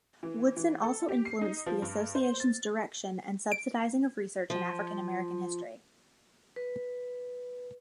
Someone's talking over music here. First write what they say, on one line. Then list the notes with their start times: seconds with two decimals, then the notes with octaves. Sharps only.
Woodson also influenced the Association's direction and subsidizing of research in African-American history.
0.23 E3
0.56 E3
0.83 A4
1.08 G4
1.25 C7
1.41 D#4
1.67 F3
1.82 G2
2.15 C5
2.40 A6
3.52 D7
4.50 F3
6.56 B4